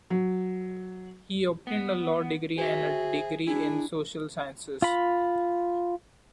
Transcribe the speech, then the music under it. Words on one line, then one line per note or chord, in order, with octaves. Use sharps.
He obtained a law degree and a degree in Social Sciences.
F#3
B3
F#4 G#4 C5 E5
D4 E4 G#4
F4 B5